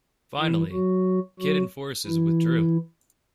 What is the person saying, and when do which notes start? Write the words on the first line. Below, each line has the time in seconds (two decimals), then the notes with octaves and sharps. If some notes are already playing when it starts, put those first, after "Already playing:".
Finally, Khitan forces withdrew.
0.39 E3 E4
0.73 F#3 F#4
1.40 F#3 F#4
2.06 E3 E4